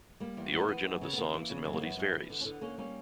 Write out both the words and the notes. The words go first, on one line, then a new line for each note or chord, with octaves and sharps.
The origin of the songs and melodies varies.
G3 A#3
E2
E2 B3
A#3
E2 B3
F#2
C#3
B3
C#3 A#3
E3
C#3
F#2
A#3
F#2 B3
F#2
E2
D3
C#4
D3 B3
D3 A#3 C#4
G3 A#3 C#4